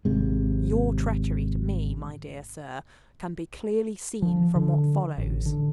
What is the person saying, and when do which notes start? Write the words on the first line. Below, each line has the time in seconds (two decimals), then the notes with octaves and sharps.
Your treachery to me, my dear sir, can be clearly seen from what follows.
0.05 G#1 C3 G#3
4.22 F3
4.55 D3
5.18 A1
5.46 D3